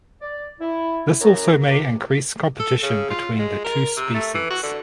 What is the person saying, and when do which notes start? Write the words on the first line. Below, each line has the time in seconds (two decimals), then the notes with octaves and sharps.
This also may increase competition between the two species.
0.21 D5
0.60 E4
1.20 F#2 A#5
1.68 C#2 C3
2.60 A4
2.83 C#3
3.10 F4
3.39 G#3
3.64 A#4
3.97 C3
4.14 A3
4.34 E3
4.50 F#4
4.63 D3